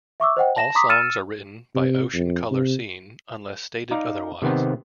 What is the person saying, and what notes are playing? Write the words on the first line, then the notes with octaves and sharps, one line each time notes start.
All songs are written by Ocean Colour Scene, unless stated otherwise.
E5 C#6 D6 E6
C5 D#5 F#5 G5
A5 A#6 E7
A#5 C6 D6 D#6 B6
E6 F6 A6 C#7 D#7 E7
C3
F2
C3
D#4 D5 F5 A#5
C3 D#3 B3 C4